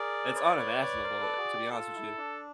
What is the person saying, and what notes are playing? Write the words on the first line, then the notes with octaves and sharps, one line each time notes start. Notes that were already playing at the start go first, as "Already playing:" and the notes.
it's unimaginable, to be honest with you.
Already playing: G#4 A#4 D5
B4 C#5 D5
B4 C#5
B4 C#5
A#4 C5
A4 B4
F#4 G#4
G4
F4 A4
E4
D4